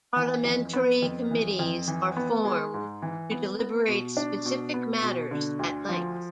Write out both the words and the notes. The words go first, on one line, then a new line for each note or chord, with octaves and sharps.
Parliamentary committees are formed to deliberate specific matters at length.
E3
F2
B3
F2
E3
F2
E3
B3
G#3
G#2
E3
B3
B3
B2
D4
B2
B3
B2
D3
D2
F3